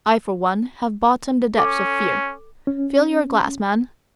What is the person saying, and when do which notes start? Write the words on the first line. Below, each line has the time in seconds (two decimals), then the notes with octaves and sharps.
I for one have bottomed the depths of fear. Fill your glass, man!
1.57 C#4 A4 D6
2.67 C#4